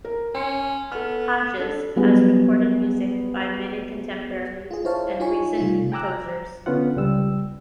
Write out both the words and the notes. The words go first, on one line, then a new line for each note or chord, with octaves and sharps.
Hodges has recorded music by many contemporary and recent composers.
A#4
C#4 C6 C#7
B3 A4 F6
D4 A4
F#3 G3 B3 G#4
F4 G#4
E4 C5 C#5 F5 A5
D#4 F4 C#5 G#5 C#6
C3 G3 A3 F4
G5 G#5 A#5 D6 E6 F#6
A#5
D3 B3 C#4 F4 F#5
C#2 G3 E6